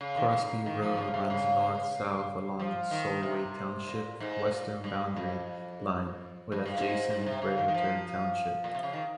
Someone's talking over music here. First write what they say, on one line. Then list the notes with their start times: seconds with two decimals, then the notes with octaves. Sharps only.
Crosby Road runs north-south along Solway Township's western boundary line with adjacent Brevator Township.
0.01 C#3
0.17 D#3
0.28 D#3
0.33 C#3
0.49 C#3
0.66 D#3
0.82 F3
0.97 C#3
1.14 C3
1.30 C#3
2.59 F3
2.91 D#3
3.23 C3
3.87 A#2
4.20 G#2
4.51 A#2
4.84 G2
5.17 F2
6.52 F2
6.66 G2
6.77 G#2
7.10 G#2
7.26 C3
7.42 C#3
7.58 D#3
7.68 D#3
7.74 F3
8.64 A#2
8.75 C3
8.83 C#3
8.93 D#3